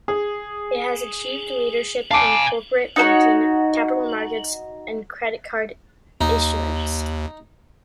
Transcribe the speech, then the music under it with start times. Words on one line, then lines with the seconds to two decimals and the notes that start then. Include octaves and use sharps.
It has achieved leadership in Corporate Banking, Capital Markets and Credit Card issuance.
0.08 G#4
2.11 F5 G#5 A5 D6 C7
2.96 D#4 F#4 A4 C#5
6.21 D#2 D#4